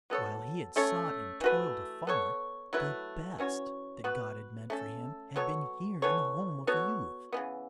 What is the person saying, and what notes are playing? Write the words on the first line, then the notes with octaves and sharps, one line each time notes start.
While he had sought and toiled afar, the best that God had meant for him had been here in the home of youth.
F#3 B3 A4 C#5
A3 C#4 A4 C#5
E3 A3 F#4 B4
B3 A4 C#5
F#3 A3 E4 B4
E3 C#4 F#4 C#5
B3 F#4 B4
A3 C#4 A4
F#3 B3 A4 C#5
E3 B3 A4 C#5
B3 F#4 A4 C#5
C#3 E3 B3